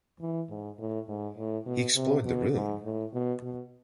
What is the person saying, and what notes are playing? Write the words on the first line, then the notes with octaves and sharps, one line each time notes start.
He explored the room.
E3
G#2
A2
G#2
A2
B2
C3
B2
G#2
A2
B2
B2